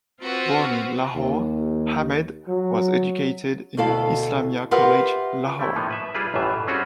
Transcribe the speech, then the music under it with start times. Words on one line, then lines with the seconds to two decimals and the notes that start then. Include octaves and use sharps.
Born in Lahore, Ahmed was educated at Islamia College Lahore.
0.21 C4 F4 F#4 B4
1.15 D#2
2.48 F#3
3.77 D2 B2 E4 A4 F5 A5
4.71 F4 G4 A#4 B4 E5 F#5
5.59 G3 A3 E4
5.76 A2 F3 A#3 B3 D#4
5.91 B4 E5
6.15 G3 E4 F4 G#4 B4
6.34 A1 F#2 A2 E3 F4 E5
6.67 G3 C4 C#4 F4 F#4 G#4